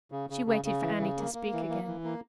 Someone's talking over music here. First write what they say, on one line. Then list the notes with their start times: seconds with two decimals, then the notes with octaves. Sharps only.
She waited for Annie to speak again.
0.12 C#3
0.30 C#3
0.46 C#3
0.64 C#3
0.82 E3
0.99 C#3
1.17 A#3
1.34 A#3
1.52 E3
1.69 A#3
1.87 E3
2.04 A#3